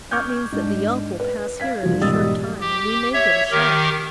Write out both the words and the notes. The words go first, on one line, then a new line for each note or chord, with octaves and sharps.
That means that the elk will pass here in a short time and we may get a shot.
C#6 D6 F6 G6 G#6
G#2 D4
B4
F5 G#6 B6
F1 F3 G3 F#4
E1 G#2 G3 D#6 E6 A6
G4
C#5 E5
D#3 G4 A#4